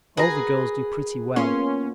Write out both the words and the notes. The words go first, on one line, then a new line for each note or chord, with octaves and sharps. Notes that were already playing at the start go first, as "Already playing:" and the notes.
All the girls do pretty well.
F#4 G#4 A#4 B4 A#5
A#3 B3 C#4 F4 C6